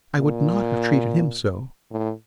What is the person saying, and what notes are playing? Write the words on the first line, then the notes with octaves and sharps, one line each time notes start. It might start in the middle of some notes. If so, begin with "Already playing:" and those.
I would not have treated him so.
A#2
A2